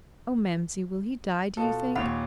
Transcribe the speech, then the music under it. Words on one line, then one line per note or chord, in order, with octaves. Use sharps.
"Oh, mamsie, will he die, do you think?"
B2 F4 A4
D#2 A#2 C#5 F#5 B5